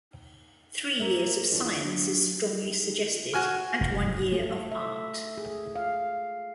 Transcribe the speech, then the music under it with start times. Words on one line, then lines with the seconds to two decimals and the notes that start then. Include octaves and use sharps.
Three years of science is strongly suggested, and one year of art.
0.99 A#3 E5
1.52 E2 D4 F4
1.85 F#3
3.34 F#4 G#5 F6
3.81 F1
4.07 G#2
4.32 A3
4.72 E5
5.38 G#4
5.76 F5